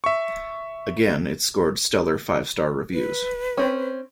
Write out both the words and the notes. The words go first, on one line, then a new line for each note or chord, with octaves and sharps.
Again, it scored stellar five-star reviews.
E5 C#6
B4
C4 C#4